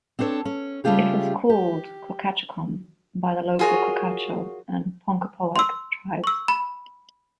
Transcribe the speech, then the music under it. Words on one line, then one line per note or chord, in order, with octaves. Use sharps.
It was called Cochaticquom by the local Cochato and Ponkapoag tribes.
C4 D4 A4 C5 C#5
C#4
C#3 G3 A3 F4 G4 G#4
G4
F4 F#4 G#4 A#4 C#5
C6 E6
C#6 E6
B5